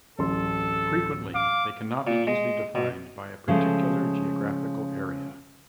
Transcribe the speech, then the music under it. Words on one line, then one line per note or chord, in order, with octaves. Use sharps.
Frequently, they cannot be easily defined by a particular geographical area.
D1 A1 A4 C6
F5 D6
A#2
G#3
B2
C#3 F3 G#3 A3